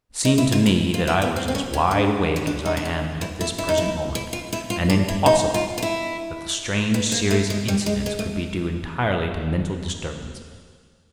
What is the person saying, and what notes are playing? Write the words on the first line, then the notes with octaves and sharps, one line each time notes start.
It seemed to me that I was as wide-awake as I am at this present moment, and impossible that the strange series of incidents could be due entirely to mental disturbances.
D#4
E4
F4
E4
F4
E4
B3
C4
C4
C#4
C#4
D4
C#4
D4
D#4
D4
C#4
E4
E4
E4
D#4
E4
E4
F4
E4
F4
D4
E4
D#4
F4
F4
E4
B3
A#3
A3
G#3
G3
G#3
G#3
A3